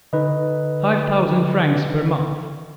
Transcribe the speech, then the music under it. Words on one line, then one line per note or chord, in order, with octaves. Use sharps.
"Five thousand francs per month."
D3 D#4 B4 D#5